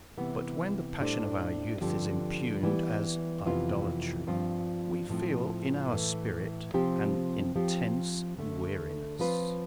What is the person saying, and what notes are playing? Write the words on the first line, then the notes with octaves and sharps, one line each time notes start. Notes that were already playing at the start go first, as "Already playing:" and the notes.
But when the passion of our youth is impugned as "idolatry" we feel in our spirit an intense weariness.
C3 E3 B3
A2 G3 D4 A4 C5
G2 D3 F3 C4 G4
E3 G3 B3
F2 C3 E3 B3 F4
G2 F3 C4 F4 C5
A2 F3 C4
A2 E3 A3
C3 F3 C4 G4 C5
F3 C4 G4
D2 D3 A3
F3 C4 F4 B4